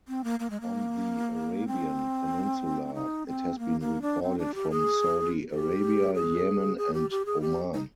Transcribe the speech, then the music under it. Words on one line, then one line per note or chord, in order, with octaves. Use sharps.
On the Arabian Peninsula it has been recorded from Saudi Arabia, Yemen, and Oman.
C4
A#3
A#3
G#3
A#3
C4
D#4
C4
A#3
A#3
D4
C4
D4
G4
G#4
G4
G#4
G#4
G4
G4
G#4
G4
D#4